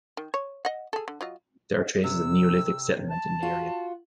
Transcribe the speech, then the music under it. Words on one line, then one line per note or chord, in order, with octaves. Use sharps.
There are traces of Neolithic settlement in the area.
D#3
C#5
D#5 F#5
G#4 A4
D3
F#3 F4 D#5
C3 E6
A5
F4 F#4